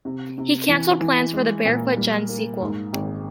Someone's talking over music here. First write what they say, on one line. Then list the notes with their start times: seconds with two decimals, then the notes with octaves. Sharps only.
He cancelled plans for a "Barefoot Gen" sequel.
0.05 C3
0.38 C3
0.69 E3
1.00 E3
1.33 G#3
1.65 A#2
1.97 G3
2.29 A#3
2.61 G#2
2.93 G#1